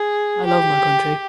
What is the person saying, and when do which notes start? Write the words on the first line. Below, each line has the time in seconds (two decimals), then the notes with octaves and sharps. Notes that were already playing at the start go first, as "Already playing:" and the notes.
I love my country.
Already playing: G#4
0.45 G4